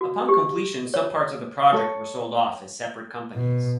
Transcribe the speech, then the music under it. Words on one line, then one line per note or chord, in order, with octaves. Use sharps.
Upon completion some parts of the project were sold off as separate companies.
F#4
G4
C#5
A4 C#5
B2